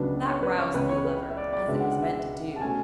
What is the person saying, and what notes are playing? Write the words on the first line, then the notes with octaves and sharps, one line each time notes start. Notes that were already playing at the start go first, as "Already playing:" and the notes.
That roused the Lover, as it was meant to do.
Already playing: C#2 C#3 F#3 B3 D4
C#5
B4
C#5
C#2 C#3 E3 B4
C#5
B4
E5
D5
D5
C#2 B2 G#3 B3 D4 E5
F#5
F#5
E5
A5
B2 A3 C#4 G#5